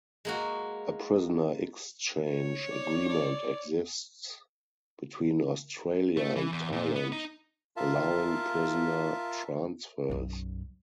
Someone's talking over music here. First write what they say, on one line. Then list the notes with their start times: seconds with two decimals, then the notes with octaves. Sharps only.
A prisoner exchange agreement exists between Australia and Thailand allowing prisoner transfers.
0.25 G#3 A#3 F#4
2.32 C#5
2.70 D5
3.09 D5
6.17 A3
6.36 E3
6.52 E2
6.72 A#2
6.95 B3
7.12 D#4
7.77 F4 A#4 E5 F5 A5
10.09 B1 F#2